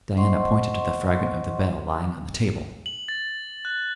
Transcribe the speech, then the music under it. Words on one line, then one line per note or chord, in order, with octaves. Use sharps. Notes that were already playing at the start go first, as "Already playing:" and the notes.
Diana pointed to the fragment of the veil lying on the table.
C5 D#5 F#5 C6 C#6
F#7
A6
F#6